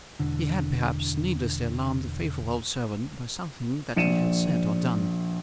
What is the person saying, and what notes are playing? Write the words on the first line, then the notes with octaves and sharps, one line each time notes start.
He had perhaps needlessly alarmed the faithful old servant by something that he had said or done.
E1 D3
A#1 C#7 D#7 E7